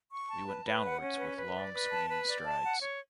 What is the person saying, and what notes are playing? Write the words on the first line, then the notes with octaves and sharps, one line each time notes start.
We went downwards with long swinging strides.
C#6
A5
B4
B4
F#5
C#4
B4
B4
D5
B4
A5
B4
D5
A5
F#5
C#5